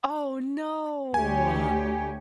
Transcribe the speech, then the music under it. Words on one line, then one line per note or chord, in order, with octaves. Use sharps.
Oh, no.
D2 G4 C#5 G#5